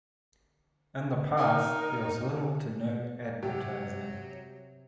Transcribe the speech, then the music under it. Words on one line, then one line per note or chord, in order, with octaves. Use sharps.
In the past, there was little to no advertising.
D#4 A#4
C3 F#3 G4